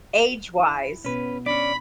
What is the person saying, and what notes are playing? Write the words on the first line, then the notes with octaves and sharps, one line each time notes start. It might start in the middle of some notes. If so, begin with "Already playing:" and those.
age wise
E4
B2 B3 C#4 B4
C#4 D4 D5 B5